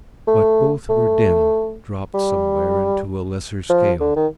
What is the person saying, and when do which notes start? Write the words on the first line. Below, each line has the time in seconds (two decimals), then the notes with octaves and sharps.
But both were dim, dropped somewhere into a lesser scale.
0.27 A3
0.89 A3
2.14 G3
3.70 F3
4.00 D3
4.16 D#3